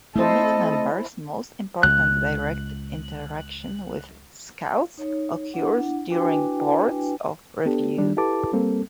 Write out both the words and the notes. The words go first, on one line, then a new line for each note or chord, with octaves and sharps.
Committee members most important direct interaction with Scouts occurs during boards of review.
A3 C4 E4 A4 C5 D#5
C#2 F#6
D#4 C#5
D4 E4 F#5
D4 E4 F#4 B4 G5 G#5
B3 D4 G4 A4
D#3 G3 D4
E4 G4 A4 B4 A5 D6
G3 A#3 C4 A4